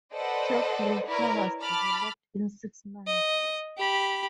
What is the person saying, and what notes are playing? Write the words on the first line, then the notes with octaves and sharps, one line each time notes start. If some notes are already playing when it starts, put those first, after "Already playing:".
"Choplifter" was developed in six months.
A4 B4 C5 D5 D#5 F#5
E4 A#4 B4 C#5 D5
A5 B5 D6 F6
D#5
G4 B5